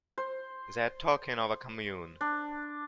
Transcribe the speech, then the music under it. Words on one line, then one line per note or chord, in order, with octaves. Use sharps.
They are talking of a Commune.
C5
D4